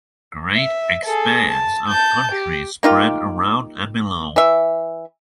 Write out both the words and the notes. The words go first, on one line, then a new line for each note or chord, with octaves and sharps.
Great expanse of country spread around and below.
E5
G#4 A4
A5
A5 G6
G4
A#3 D#4 F4 G4
E3 E5